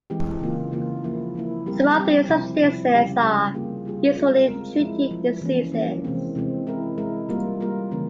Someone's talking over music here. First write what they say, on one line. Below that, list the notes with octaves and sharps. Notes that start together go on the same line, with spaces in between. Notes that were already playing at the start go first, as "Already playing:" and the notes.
Some of these substances are useful in treating diseases.
E3 G#3 C4 G4
C#3 E3 A#3 F4
C#3 E3 A#3 F4
F3 A#3 E4
F3 A#3 E4
G3 C4 G4 A#4
G3 C4 G4 A#4
C3 F3 C4 E4
C3 F3 C4 E4
C#3 G3 C#4 G4
C#3 G3 C#4 G4
G3 A#3 F4 G#4
G3 A#3 F4 G#4
G#3 C4 F4 A#4
G#3 C4 F4 A#4
F3 G#3 E4
F3 G#3 E4
E3 A#3 C#4
E3 A#3 C#4
C3 E3 G#3 C4
C3 E3 G#3 C4
G#3 E4 A#4
G#3 E4 A#4
G3 A#3 F4 A#4
G3 A#3 F4 A#4
C#3 E3 A#3 C#4